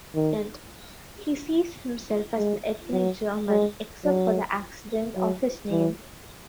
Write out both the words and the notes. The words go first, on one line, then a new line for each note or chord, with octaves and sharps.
He sees himself as an ethnic German except for the accident of his name.
D#3
G#3
F#3
G#3
F#3
F#3
E3